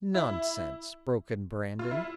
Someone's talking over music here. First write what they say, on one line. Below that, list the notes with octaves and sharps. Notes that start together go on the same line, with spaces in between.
"Nonsense!" broke in Brandon.
E4
F4
E4